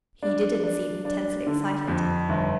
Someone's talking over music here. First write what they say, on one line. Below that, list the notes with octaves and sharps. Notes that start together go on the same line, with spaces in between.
He didn't seem intensely excited.
D4
D4
D4
D3
F2
G1